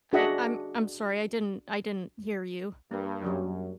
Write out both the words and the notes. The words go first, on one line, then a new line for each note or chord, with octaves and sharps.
I I'm I'm sorry, I didn't I didn't hear you.
D4 F#4 G#4 D#5 E5 F#5
G2 A#3
F#2 F#3 G3 D4